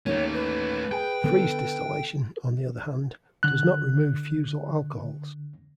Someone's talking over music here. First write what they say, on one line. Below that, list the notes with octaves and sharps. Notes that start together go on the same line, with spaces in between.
Freeze distillation, on the other hand, does not remove fusel alcohols.
D#2 D#3 A3 C#4 C#5
B4
G#4 G5 G#5
D3 B3 A4
D3 F#6